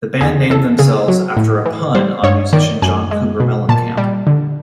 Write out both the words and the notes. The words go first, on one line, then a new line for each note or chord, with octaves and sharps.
The band named themselves after a pun on musician John Cougar Mellencamp.
E2 G#4
E2 A4
C#3 G#4
F#3
A2
E3
G3 C5
G2 C#5
D#3 D5
F#2 G#5
G#3
B2
A#2 A5
G3
D3